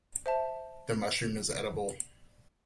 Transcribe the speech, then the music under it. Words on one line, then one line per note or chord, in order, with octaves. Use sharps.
The mushroom is edible.
C5 E5 A5